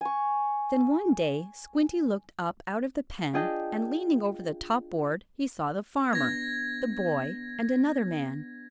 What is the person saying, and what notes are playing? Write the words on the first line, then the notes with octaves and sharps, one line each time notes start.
Then, one day Squinty looked up out of the pen, and, leaning over the top board he saw the farmer, the boy and another man.
G#5 C#6
D4 F4 G#4 D#5 G5 A5
B3 D4 G#6 A#6